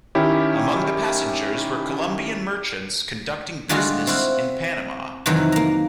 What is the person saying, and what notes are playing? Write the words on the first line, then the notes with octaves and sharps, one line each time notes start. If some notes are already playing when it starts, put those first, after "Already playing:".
Among the passengers were Colombian merchants conducting business in Panama.
D#3 C#4 E4 G4
D3 G3 G#3 F4 F#4 G#4
C4 E4 F#4 F5
F2 C3 D#3 E3 F#3 A#5
A#3 A#5